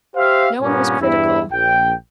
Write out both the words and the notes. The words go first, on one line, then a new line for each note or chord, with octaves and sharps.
No one was critical.
G4 C5 E5 F5
G2 A#2 A#3 B3 C#4
E2 G2 E4
A#1 G5